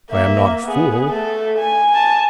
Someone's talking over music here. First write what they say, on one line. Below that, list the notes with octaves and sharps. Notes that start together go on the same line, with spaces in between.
I am not a fool.
A#3 E5
B3 G#4
A3 A4
G#5
G#5 A5